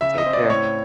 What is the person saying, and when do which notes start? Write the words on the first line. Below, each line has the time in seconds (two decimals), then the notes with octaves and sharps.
Take care.
0.01 C#3 E5
0.18 D#5
0.26 C4
0.33 D5
0.50 A2 C#5